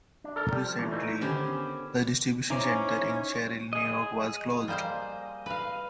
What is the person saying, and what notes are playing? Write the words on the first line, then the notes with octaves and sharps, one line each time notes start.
Most recently, the distribution center in Sherrill, New York was closed.
D4
A4 A#4
G3
F3
E2 A#2 E3 A3 C#4 D4
A#2 E3 A3 D#4
D3 D#3 B3 C#4 G4 C5
C#4 D#4 E4 C5 C#5 G#5 A#5 D6
G#4 D#5
G3 A#3 C5
B4 F5